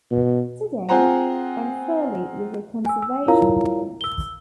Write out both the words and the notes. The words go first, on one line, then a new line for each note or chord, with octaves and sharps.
Today Ranfurly is a conservation area.
B2
C4 F4 G#4 C5 F#5 A#5
G#5 E6
E6
E4 F4 A#4 C#5 F5 A#5
E6 G7